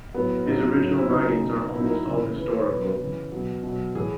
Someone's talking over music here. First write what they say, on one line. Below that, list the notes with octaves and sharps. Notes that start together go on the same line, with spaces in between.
His original writings are almost all historical.
A2 F#3 B3
A2 F#3 D#4
A2 F#3
E4
C#3 F#3 D#4
B2 F#3
A2 F#3 E4
D#4
E4
C#3 E3
A2 E3 B4
A4
C#5
B4
B2 F#3 B4
C#3 E3
B2 F#3
B2
F#3
A2 E3 G#4